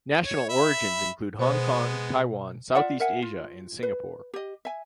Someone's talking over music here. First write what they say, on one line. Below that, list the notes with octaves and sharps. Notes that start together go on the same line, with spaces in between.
National origins include Hong Kong, Taiwan, Southeast Asia, and Singapore.
C#5
E5 B5
B2 G#3 B3 C5
F4 D5 E5 F#5
A#4 E5 F#5 G#5
F4
B4
G4 D#5
E5 G#5